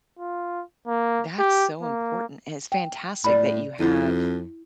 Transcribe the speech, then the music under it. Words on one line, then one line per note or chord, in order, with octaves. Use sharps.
that's so important, and it's fantastic that you have
F4
A#3
G4
A#3
G5
A2 D5 B5
F2 E4